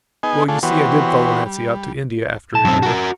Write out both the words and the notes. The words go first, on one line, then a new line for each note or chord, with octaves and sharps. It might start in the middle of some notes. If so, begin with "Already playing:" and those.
Well, you see, I did follow Nancy out to India after a year....
B3 D#4 G#4 D#5 G#5
A3 D4 F4 G#4 A4
E3 B3 F#4 G4 C5 C#5
G3
B1 A5
F#2 C4
F#4 A#4